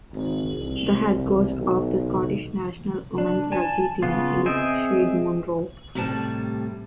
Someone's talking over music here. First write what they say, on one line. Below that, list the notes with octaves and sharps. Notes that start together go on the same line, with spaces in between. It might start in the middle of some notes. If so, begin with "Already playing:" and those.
The head coach of the Scottish national women's rugby team is Shade Munro.
G#1
C2
B1
D4
G#5 A5
C#3 B3 F4
C4 G#4 D#5 E5 G5
A2 C3 G3 D5 A5